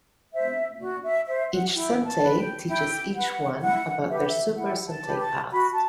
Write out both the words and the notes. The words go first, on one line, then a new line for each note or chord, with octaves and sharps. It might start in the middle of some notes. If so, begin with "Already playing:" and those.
Each sentai teaches each one about their Super Sentai past.
C5 E5
F#4 D5
E5
C5 E5
F#5
E4 G5
A5
B4
G5
E4 G5
B4 F#5
E4 F#5
G4 B4 E5
F#5
E5
E4 F#5
A5
G4 B4
A5
F#4 B5
A5